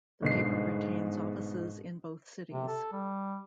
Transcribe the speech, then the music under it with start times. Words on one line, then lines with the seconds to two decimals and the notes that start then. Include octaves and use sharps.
The paper retains offices in both cities.
0.22 G1 G#2 B2 C7
2.52 C3
2.68 A4
2.92 G3